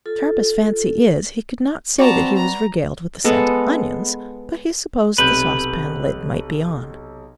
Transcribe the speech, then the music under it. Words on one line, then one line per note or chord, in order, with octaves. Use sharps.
Sharp as fancy is, he could not say that he was regaled with the scent of onions, but he supposed the saucepan lid might be on.
F4 A4
C4 F#4 B4 D5 A5 A#5
A#5
G#3 B3 A4
B1 C3 B4 G6